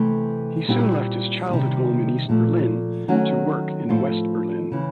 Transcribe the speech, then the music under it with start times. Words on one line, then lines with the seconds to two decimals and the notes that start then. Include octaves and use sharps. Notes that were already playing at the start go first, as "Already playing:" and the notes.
He soon left his childhood home in East Berlin to work in West Berlin.
Already playing: C3 E3 A3
0.68 A#2 G3 C4 E4 G4
1.49 C3 D#3 G3
2.29 A#2 F3 A3
3.08 D#3 F#3 A3 C#4 F#4
3.89 A2 F3 A3 C4 F4
4.72 C#3 E3